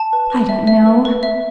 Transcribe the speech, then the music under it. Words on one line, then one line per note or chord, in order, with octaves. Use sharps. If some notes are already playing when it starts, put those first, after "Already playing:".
I don't know.
Already playing: A5
B4
B4
E5
E5
B4
B4
E5